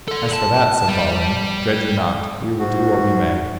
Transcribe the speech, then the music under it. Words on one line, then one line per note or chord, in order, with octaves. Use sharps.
As for that, said Balin, dread you not, we will do what we may.
A4 F#5
A5
G3
G#2 F#4